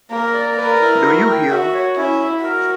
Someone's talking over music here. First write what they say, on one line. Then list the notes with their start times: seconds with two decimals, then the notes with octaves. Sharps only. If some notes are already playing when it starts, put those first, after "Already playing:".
Do you hear?
0.11 A#3 A#4
0.34 D5
0.58 A#4 B4
0.81 E4
1.04 F#4
1.28 G5
1.50 F#4 E5
1.74 C#5
1.97 C#4 E4
2.20 E5
2.44 F#4 A#4